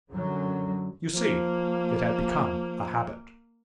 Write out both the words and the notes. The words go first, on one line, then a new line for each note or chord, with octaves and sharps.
You see, it had become a habit.
F#2 D3 F#3
F3 A#3